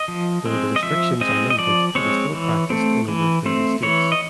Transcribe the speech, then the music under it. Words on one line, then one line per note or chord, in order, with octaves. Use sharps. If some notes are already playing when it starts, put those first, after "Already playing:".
Though the restrictions are limited, it is still practiced in over thirty states.
Already playing: D#5
F3
G#3 C4
D#5
F3 E5
G#3 C4 D#5
D#5
F3 D5
G#3 C4 C#5
E3
A3 C4
E3
A3 C4
E3 C#5
D#5